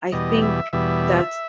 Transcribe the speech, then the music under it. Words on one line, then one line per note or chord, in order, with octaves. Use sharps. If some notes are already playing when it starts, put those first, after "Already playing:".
I think that's
E2 B2 G3 D#5
E5
E2 B2 G3 E5